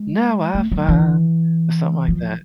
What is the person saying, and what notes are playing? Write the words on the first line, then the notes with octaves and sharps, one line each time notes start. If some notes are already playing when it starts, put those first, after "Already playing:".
now I find, or something like that.
Already playing: G#3
A3
F#3
E3
F3